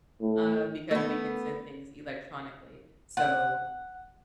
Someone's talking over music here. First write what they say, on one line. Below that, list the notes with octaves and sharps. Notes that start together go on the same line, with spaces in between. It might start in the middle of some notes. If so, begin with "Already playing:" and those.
uh, because we can send things electronically." So,
A2
A3 B3
F#5